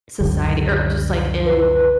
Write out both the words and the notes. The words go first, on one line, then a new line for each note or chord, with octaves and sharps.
society or just, like, in
C#2 F#2 D3
B4